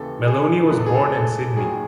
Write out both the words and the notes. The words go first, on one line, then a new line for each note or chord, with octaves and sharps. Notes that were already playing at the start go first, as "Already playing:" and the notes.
Melouney was born in Sydney.
Already playing: D#2 C#3 E3 A4
G#4
F#1 E2 B2 F#3 B4
A4
G#4
A4
A4
D#2 D#3 F#3 G#4